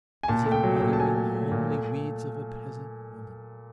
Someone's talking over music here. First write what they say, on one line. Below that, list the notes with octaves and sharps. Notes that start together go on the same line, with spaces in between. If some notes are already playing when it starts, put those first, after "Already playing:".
Is it a mother in the homely weeds of a peasant woman?
G#5
A#2 A5
A3
G5
F#3
G5
A#2
A5
F#3 G#5
A3
A3
A#2
A3